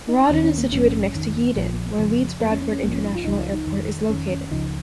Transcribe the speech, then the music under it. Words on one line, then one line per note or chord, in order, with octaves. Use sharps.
Rawdon is situated next to Yeadon, where Leeds Bradford International Airport is located.
D#4
D#2 D#3 C#4
C#4
A#3
A#1 G#2 F3 C#4
F2 D#3
A#1 A#2 F3
F2 C#3 F3
F2 F3 A#3
C#4
C#4
C#4
A#1 G#2 F3 A#3
C#4
D#4
F4
C#2 C#3 F3 D#4
F4
D#4
F2 D#3
F2 D#3 C#4
C#4
C#2 C#3 F3 D#4